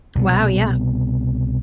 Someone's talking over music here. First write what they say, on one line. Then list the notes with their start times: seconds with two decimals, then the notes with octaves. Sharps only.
Wow, yeah.
0.15 C2 B2 B3